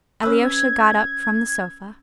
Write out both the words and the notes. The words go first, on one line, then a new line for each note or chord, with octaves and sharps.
Alyosha got up from the sofa.
C#4 B4 E6
G#6